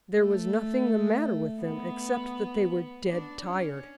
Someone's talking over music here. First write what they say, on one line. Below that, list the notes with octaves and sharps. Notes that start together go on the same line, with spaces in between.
There was nothing the matter with them except that they were dead tired.
A3
B3
D4
C#4